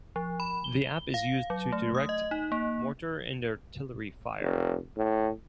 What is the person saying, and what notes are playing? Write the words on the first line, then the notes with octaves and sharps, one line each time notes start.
The app is used to direct mortar and artillery fire.
F3
B5
G7
F5
F#3
A3
D#6
D#5
D#4
A#3
F1
A2